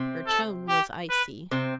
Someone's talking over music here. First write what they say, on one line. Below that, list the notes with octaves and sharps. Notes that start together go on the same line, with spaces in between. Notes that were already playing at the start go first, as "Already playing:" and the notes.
Her tone was icy.
Already playing: C3 C4
A4
G4
B4
C3 C4